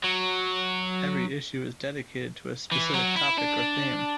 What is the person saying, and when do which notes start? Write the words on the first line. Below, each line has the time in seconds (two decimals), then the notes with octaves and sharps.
Every issue is dedicated to a specific topic or theme.
0.04 F#3
2.71 E3
2.94 F#3
3.16 E4
3.38 D4